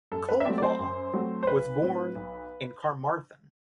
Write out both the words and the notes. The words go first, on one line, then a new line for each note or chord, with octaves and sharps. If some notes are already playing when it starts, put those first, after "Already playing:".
Colclough was born in Carmarthen.
F#2 A4
B4
E5
F#3 A3 C4 D5
D5
C5
F#2
F#3 A3 C4
C5
B1 B4
A2 F#3 C4
B1